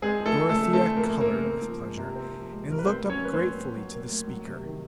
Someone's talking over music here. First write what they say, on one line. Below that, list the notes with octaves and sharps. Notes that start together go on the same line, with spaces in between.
Dorothea colored with pleasure, and looked up gratefully to the speaker.
G#3 C4 G#4
F3
A3 A4
A3
A3 A4
C#3
A3 C4 A4
F3
A#3 A#4
A3
A#3 A#4
C#3
C4
F3
G#3
C3
C4
F3
G#3
C3 A#4
B4
A2 C4 C5
F#3
C#4 C#5
A#3 B4
C4 C5
A2
A2
F#3
A#3
A2
F#3
C3
D#3